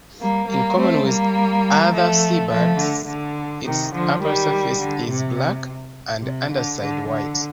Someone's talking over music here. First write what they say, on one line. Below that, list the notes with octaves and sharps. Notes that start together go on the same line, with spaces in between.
In common with other seabirds, its upper surface is black and underside white.
G3 A#3
G3 A#3
A3 C4
G3 A#3
F3 A3
F3 A3
D3
D3
C3 D#3
D3 F3
D#3 G3
D3
C3
C3
D3
D3
D3